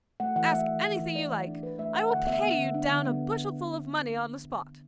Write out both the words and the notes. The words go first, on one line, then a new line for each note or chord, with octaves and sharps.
'Ask anything you like! I will pay you down a bushelful of money on the spot.'
A3 F#5
E3 F#5
A3 E5
E3
E3
E3
A3 D5
E3
D4
E3 B4
A3 E5
A3 F#5
D3 F#5
B3 E5
B3 F#5
D3
D4
D3
B3